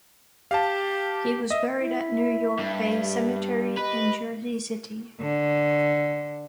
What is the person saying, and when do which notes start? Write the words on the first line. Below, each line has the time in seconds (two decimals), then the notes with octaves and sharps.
He was buried at New York Bay Cemetery in Jersey City.
0.51 G4 F5 A5
1.50 D#5 E5
1.78 E4 E5
2.59 G2
3.00 G4
3.77 B4 D#5
5.21 D3